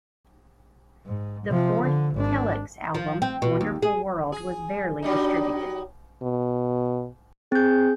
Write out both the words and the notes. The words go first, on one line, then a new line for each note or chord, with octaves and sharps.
The fourth Telex album, "Wonderful World", was barely distributed.
G#2
C3 F3
D3
G#1 D4
F3
C4
B2
D#2
G#4
G#4
F#3 G3 D4 D#4
B2
C4 G#4 G6